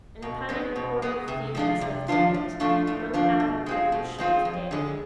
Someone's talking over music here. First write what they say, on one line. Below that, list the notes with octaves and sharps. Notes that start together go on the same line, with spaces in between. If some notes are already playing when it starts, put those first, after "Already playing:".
In a panic born of fear and self-defense, young Averbuch was shot to death.
B2
G#3 B3
B2
G#3 B3
C3
F3 G#3 D4 F4
C3
F3 G#3 D4 F4
A2
F3 A3 D4 F4
A2
F3 A3 D4 F4
B2
G#3 C4 F4
B2
G#3 C4 F4
F2
D3 G#3